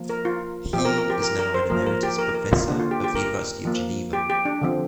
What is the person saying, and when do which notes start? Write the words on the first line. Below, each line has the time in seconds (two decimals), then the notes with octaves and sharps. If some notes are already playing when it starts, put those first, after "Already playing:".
He is now an emeritus professor of the University of Geneva.
Already playing: F3 A#3
0.09 A#4
0.25 F4
0.73 F3 G4
0.78 C4
0.85 A#4
0.98 A#4
1.10 G4
1.22 A#4
1.39 A#4
1.54 C5
1.70 F3 A#3 A#4
1.86 A#4
2.03 G4
2.18 A#4
2.35 A#4
2.52 F4
2.68 D3 A#3 D4
2.80 F4
2.91 G4
3.04 G4
3.15 A#4
3.65 F3 A#3
4.13 G4
4.30 G4
4.45 D4
4.61 D3 F3 C4